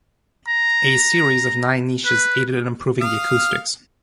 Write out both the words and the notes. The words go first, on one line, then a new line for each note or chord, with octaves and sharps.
A series of nine niches aided in improving the acoustics.
A#5
B4
F5 D#6 F6